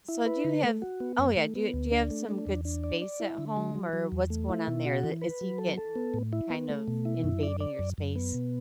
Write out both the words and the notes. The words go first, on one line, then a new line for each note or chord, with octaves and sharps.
so do you have oh, yeah, do you do you have some good space at home, or what's going on there? The is he getting kind of invading your space?
E4
B4
D3
A3
F#4
B3
F#2
A3
B3
D2
D4
A3
D4
E2
D4
D5
D5
E4
D3
F#3
F#3
F#3
E2
A3
E4
B2
F#4
E3
B4
F#3
A4
A4
B3
A2
E4
B3
A3
B2
E4
F#2
D5
D5
F#2
F#2
B3
B2